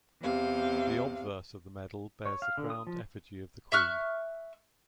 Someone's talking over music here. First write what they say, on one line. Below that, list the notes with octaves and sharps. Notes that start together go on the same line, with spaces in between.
The obverse of the medal bears the crowned effigy of The Queen.
E2 C3 F5
C#5
F5
D3
D#6
F3
E5 C#6 F6 F#6